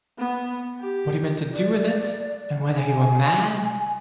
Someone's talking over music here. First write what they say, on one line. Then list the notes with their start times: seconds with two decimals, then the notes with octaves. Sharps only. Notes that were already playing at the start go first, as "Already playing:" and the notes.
What he meant to do with it, and whether he were mad?
0.18 B3
0.80 G4
1.53 D5
2.76 G#5